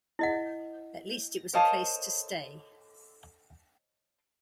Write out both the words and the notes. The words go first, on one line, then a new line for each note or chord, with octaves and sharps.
At least it was a place to stay.
E4 D#5 F#5
A#4 C5 C#5 D#5 F5 A5